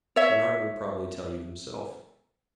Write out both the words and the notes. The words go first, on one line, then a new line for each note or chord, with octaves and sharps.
Bernard will probably tell you himself.
C#5 E5